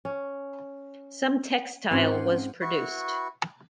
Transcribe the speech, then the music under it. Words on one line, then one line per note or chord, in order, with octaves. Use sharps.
Some textile was produced.
C#4
G#2 C4 C#4 F4 C5 F#5
E4 F#4 B4 C#6